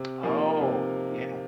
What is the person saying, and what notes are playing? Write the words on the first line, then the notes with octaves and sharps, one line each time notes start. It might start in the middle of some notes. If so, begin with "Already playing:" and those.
Oh, yeah.
Already playing: C3
F3 A#3 D#4
C3